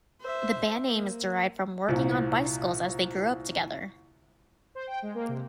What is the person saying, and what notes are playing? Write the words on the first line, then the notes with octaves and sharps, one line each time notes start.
The band name is derived from working on bicycles as they grew up together.
C5 E5
A#3
C2 A#2
C5
G5
G#3
A#3
C3